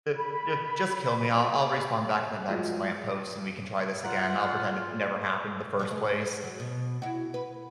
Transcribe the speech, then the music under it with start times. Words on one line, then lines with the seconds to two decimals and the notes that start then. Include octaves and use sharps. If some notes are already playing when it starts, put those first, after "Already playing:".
J j just kill me, I'll I'll respawn back in the next lamppost, and we can try this again, I'll pretend it never happened the first place.
0.16 B5
2.49 F3 F#3 G#3
4.03 F4 F#5 A#5
4.35 F6
5.79 F#2 F3 G3
5.91 G#3
6.43 F#3
6.60 B2
7.02 E4 F#4
7.34 B4